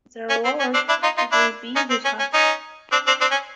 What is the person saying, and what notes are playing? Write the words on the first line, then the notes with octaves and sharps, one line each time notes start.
The Lord will be with us.
C#4
C4
C#4
C4 D4
D4 E4
D#4 F4
D#4 F4
D4 E4
C#4 D#4
C4
C#4
C#4
C#4 D#4
C4 D4
C4 D4
C4 D4
C#4